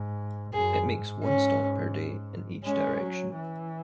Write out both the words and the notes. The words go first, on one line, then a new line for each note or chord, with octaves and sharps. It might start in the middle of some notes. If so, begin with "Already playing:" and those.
It makes one stop per day in each direction.
Already playing: G#2
F#2 G#4
G#2
C#4
G#3 C#4
F#3
E3